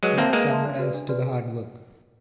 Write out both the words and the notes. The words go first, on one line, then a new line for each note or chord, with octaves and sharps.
Let someone else to the hard work.
F#3 G#3 B4
A#3 C4 E5 A5 C6
G#3 A#3 B4
E5 A5 C6
D4
F#4 B4 D5
D4
F#4 B4 D5
G#4